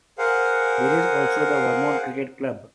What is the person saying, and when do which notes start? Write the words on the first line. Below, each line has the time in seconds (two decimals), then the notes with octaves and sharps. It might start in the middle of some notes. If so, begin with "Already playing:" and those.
There is also the Vermont Cricket Club.
0.18 G#4 A#4 C5 F5 F#5